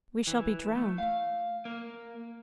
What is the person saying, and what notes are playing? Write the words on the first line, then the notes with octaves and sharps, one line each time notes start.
We shall be drowned!
E3
A3
F5
A#3